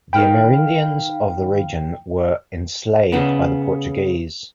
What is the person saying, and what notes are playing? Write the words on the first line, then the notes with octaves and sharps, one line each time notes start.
The Amerindians of the region were enslaved by the Portuguese.
D#3 F5 G5 B5
C#3 B3